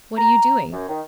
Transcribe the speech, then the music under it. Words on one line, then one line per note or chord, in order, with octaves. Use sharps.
'What are you doing?'
A#5
F#2
D#3